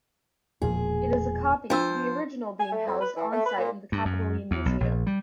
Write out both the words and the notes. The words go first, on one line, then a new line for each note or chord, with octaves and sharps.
It is a copy, the original being housed on-site in the Capitoline museum.
E1 A#2 F3 G#4
F3 D4 F4 C5 E6
G#5
A3
F2
B4
E3
A3
B4
A#2
G2
F#2
E2
B1
A#1
G3